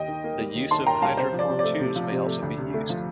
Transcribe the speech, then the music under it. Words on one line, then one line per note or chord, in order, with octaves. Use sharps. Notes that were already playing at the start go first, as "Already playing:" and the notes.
The use of hydroformed tubes may also be used.
Already playing: D#2 D#5 G5
D#3
A#3
G3
D#2
D#3 A5 C6
A#3 G5 A#5
G3 F5 A5
C3 C5
F3
D5
C3
D5
A3
C3
F3
C3
A3
D2
C3
A3
F3